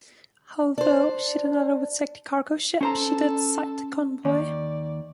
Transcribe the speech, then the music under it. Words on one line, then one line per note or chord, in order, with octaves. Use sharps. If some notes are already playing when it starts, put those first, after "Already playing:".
Although she did not overtake the cargo ship, she did sight a convoy.
D4 C5
C#4 A4 C5 A#5
D#2 D5